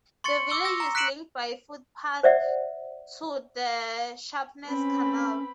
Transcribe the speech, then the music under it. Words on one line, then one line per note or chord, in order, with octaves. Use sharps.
The village is linked by footpath to the Sharpness Canal.
C6 C#6 A6 C#7
D6 E6 G7
E6 A#6
A#5
F#6 B6 C#7 D7 E7 F#7
C5 D5 E5 F#5
C4 C#4 B4 B5